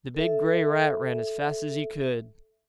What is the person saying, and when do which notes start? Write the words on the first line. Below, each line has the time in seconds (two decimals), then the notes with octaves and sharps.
The big grey rat ran as fast as he could.
0.15 A4 E5